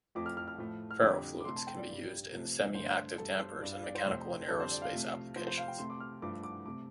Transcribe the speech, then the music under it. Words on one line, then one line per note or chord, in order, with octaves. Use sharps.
Ferrofluids can also be used in semi-active dampers in mechanical and aerospace applications.
F2 F3 A3 D6
F6
F6
F6
A2 F3 A3
F6
F2 D3 G3 D6
D6
C3 A3 C6
A5
G5
D5
G2 G3
C3 F3 A3
G2 D3 A3 C5
G2 G3 A4
C5
G2 G3 D5
F5
D5
C5
F2 C3 A3
F2 D3 G3 A4
C5
D5
F5
C3 F3 A3
C3 F3 A3 C5
C5
F5
G5
C3 A3 C6
D6
F6
G2 F3 A3 D6
D6
D6
C3 A3 D6